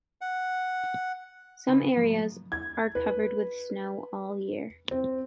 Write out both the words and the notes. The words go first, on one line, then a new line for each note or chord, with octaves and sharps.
Some areas are covered with snow all year.
F#5
C#3 B3 D#4 B4
G#2 F3 F#3 A#3
G#6
B4
C4